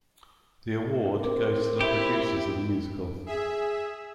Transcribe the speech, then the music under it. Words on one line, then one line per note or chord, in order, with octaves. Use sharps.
The award goes to the producers of the musical.
C4 A#4 D6
E4 G4
G#4 E5